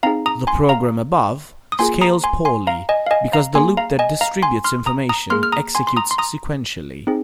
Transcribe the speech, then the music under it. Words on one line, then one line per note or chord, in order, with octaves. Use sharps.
The program above scales poorly because the loop that distributes information executes sequentially.
C4 D#4 G#4 F5 A#5
A#5 D#6
G#5 C6
F5 A#5
D#6
A#3 F4 G#4 G#5 C6
A#5 D#6
G#5 C6
G#5 C6
F5 A#5
D#5 G#5
F5
D#5 G#5
F5 A#5
A#3 G#4 G#5 C6
F5 A#5
D#5 G#5
F5 A#5
G#5 C6
C6 F6
A#5 D#6
A#5 D#6
A#3 G#4 C6 F6
F6
A#5 D#6
G#5 C6
C6
A#5 D#6
C6
A#5 D#6
C4 D#4 G#4